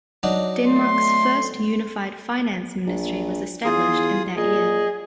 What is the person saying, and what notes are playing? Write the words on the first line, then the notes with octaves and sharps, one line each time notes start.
Denmark's first unified Finance Ministry was established in that year.
F#3 D4 D#4
A3 C6
A#1
E2 F4 G#4 D#6
A#2 G#4 D#5